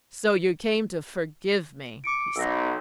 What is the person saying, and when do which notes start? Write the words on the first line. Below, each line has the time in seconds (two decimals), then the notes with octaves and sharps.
"So you came to forgive me?" he said.
2.04 D6 C#7 D7
2.36 B1 E6 A#6